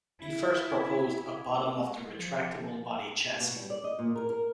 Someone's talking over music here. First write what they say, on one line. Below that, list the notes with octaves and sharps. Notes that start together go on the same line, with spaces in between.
He first proposed a "bottom of the retractable body" chassis.
E4
G#3
F3
G4
B2
G3
D5
D#5
A#2
A#4
A#4